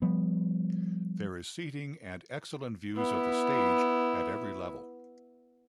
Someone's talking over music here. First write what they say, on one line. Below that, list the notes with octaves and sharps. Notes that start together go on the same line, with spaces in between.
There is seating and excellent views of the Stage at every level.
F3 G3 B3
B3 E4